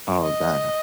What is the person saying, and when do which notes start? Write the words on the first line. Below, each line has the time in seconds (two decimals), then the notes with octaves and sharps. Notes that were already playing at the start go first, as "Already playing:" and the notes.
Oh, god.
0.23 D#5